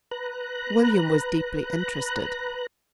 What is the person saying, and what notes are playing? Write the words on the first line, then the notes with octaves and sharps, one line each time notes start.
William was deeply interested.
B4 A#5 F#6